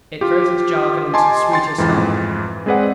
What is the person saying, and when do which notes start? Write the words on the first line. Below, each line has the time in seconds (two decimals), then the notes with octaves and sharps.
It throws its jargon into the sweetest harmony.
0.21 F4 G4
1.13 D#5 G#5 A5 C6 D6
1.52 G5 C6 A6
1.78 F2 G#2 E3
2.66 G#3 C4 G#4 B4 D5 F#5